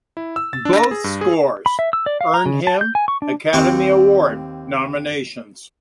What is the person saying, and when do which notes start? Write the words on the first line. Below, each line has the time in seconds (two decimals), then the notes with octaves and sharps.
Both scores earned him Academy Award nominations.
0.17 E4
0.36 E6
0.53 A6
0.65 D4
0.77 A#6
0.91 G#4
1.04 G2
1.21 G#4
1.66 B5
1.79 E5
1.93 E6
2.06 D5
2.21 F5
2.34 A#5
2.46 C#3
2.67 A5
2.81 G6
2.95 G#5
3.08 C#6
3.22 D4
3.53 D#2 C4 C5 C#6